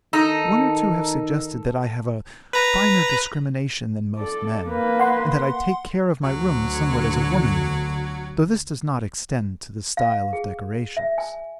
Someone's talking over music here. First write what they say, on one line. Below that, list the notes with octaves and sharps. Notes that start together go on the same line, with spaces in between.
One or two have suggested that I have a finer discrimination than most men, and that I take care of my rooms somewhat as a woman might, though this does not extend to the style of decorations.
D#3 D#4 A4 A#5 E6
B4 A#5
A4 D5
A#3 B4
F#5 C6
D2 D3 F#3
F5
G#4
E5
G#5